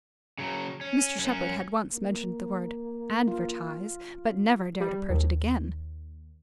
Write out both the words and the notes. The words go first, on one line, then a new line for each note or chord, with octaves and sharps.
Mr Shepherd had once mentioned the word "advertise," but never dared approach it again.
C#3 F#3
C#4
F#2 C#4
A#3
F4
G3
D#2